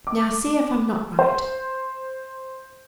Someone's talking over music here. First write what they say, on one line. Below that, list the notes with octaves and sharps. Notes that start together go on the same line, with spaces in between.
Now see if I'm not right.
D6
C5